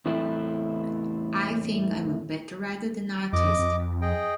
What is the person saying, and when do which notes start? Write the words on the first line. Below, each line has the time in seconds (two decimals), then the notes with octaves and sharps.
I think I'm a better writer than artist.
0.05 E2 A2 E3 A3 C4 E4
3.33 F2 D#5 D6
3.59 F2
4.02 G#4 D#5 G5